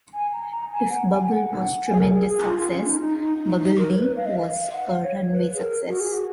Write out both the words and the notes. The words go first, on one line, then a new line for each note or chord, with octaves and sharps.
If "Bubble" was tremendous success, "Buggle D" was a run-way success.
G#5
A#5
A#5
G#5
F#5
G#5
G#5
F#5
G#5
G#4
A#4
G#4
G#4
F4
F4
C#4
D#4
D#4
D#4
D#4
D#4
A#4
C#5
B4
F5
D#5
F5
F5
F#5
F5
C#5
C#5
B4
G#4
A#4
F#4
G#4
F#4